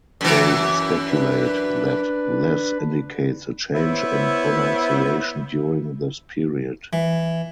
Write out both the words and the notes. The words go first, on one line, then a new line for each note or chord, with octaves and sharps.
They speculate that this indicates a change in pronunciation during this period.
F#2 E3
D4 B4
B3 E4 C5 C#5 E5
E3